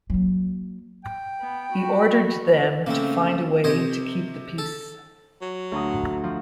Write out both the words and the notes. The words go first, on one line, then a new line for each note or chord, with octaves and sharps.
He ordered them to find a way to keep the peace.
F#3 A#3
G5
B3
F#4 B5
C#3 A3 A#3 C4
C3 C5 C#5 D#5
A4
F#3
D2 A#5 D#6
F3